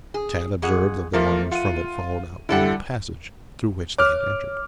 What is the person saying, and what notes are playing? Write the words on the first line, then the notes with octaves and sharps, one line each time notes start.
Tad observed that the wires from it followed out into the passage through which they had entered.
G#4
F2 G#4 F#5
A#2 F3 A3 A#3 A#4
F4 F#5 D#7
D3 G3 E4 A4 F#5
C#5 D6 F6